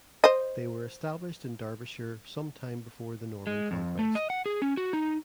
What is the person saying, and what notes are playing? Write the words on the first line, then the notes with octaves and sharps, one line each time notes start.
They were established in Derbyshire some time before the Norman conquest.
C5 D#5
G#3
F2
A3
D#5
F#5
G#4
C#4
F#4
D#4